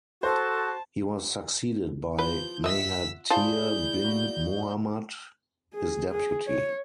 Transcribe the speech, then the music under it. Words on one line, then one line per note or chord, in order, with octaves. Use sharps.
He was succeeded by Mahathir bin Mohamad, his deputy.
F#4 A4 C5 A5
F3 B4 G6
D#5 E5 F#5 E6 B6
E4 F4 G#4 C5 D5 A5 G6
A#3 F#4 B5
G#4
G#4
C#5